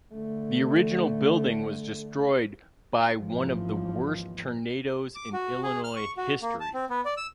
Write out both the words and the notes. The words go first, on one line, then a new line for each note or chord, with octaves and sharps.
The original building was destroyed by one of the worst tornadoes in Illinois history.
D3 A3
G#1 D#2 C#3 E3 F3
D6
F#4
G#4
F6
C#6
F#4
A#3
A5
C4
B3
D5
E6